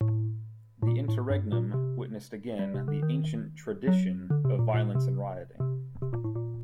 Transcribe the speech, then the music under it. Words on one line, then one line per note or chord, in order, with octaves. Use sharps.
The interregnum witnessed again the ancient "tradition" of violence and rioting.
A2
A2
A#2
A2
G2
A#2
C3
G3
C3
D3
D#3
F#3
D3
C3
A#2
A#2
C3
C3
C3
A#2
A2
A#2